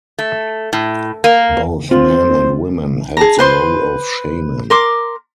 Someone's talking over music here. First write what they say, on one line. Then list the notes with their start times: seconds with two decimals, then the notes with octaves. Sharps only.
Both men and women held the role of shaman.
0.19 A3
0.73 A2
1.24 A#3
1.91 C4 F4 C5
3.17 G#4 A5 A#5
3.39 B4 C5 C6
4.70 A#4 C6 D6